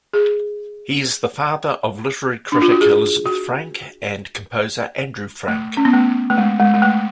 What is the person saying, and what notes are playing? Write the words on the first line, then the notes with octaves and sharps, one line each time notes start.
He is the father of literary critic Elizabeth Frank and composer Andrew Frank.
G#4
D4
F4
F#4
G#4
F#4
A3
C#4
B3
A3
A3
G#3
G#3
G#3
A3